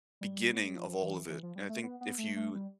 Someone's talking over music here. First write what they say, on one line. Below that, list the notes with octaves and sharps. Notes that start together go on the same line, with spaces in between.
beginning of all of it. And I think if you
G3
B3
A3
G3
F3
E3
E3
F3
G3
A3
B3
B3
A3
A3
G3